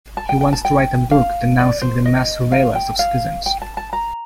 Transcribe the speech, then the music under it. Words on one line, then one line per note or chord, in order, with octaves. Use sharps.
He wants to write a book denouncing the mass surveillance of citizens.
A5
G5
G5
A5
G5
F5
D5
C5
D#5
F5
G5
F5
G5
A5
A5
A#5